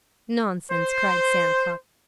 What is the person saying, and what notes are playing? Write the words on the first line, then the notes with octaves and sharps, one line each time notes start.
"Nonsense!" cried Santa Claus.
C5